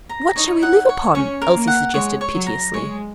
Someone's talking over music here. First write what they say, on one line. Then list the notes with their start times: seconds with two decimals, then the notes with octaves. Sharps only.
'What shall we live upon?' Elsie suggested, piteously.
0.09 A#5
0.36 D#4 C#5
0.62 F#5
0.89 C#5
1.15 C#4 C#5
1.42 A#4
1.54 A#3
1.67 F#5
1.94 G#3 C#5
2.21 C#5
2.33 F#3
2.46 A#5
2.73 G#3 C#5